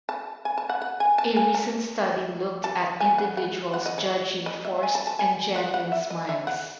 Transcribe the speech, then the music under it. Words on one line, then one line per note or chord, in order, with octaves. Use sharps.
A recent study looked at individuals judging forced and genuine smiles.
A5
G#5
A5
F#5
F#5
G#5
A5
G#5
A5
A5
G#5
F#5
F#5
F#5
D#5
C#5
D#5
E5
G#5
A5
A5
G#5
F#5
F#5
E5
D#5
E5
F#5